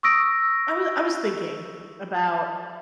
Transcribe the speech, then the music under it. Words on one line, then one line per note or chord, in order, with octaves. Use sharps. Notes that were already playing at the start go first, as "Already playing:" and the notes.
I wa I was thinking about
C#6 D#6 E6 A#6 D7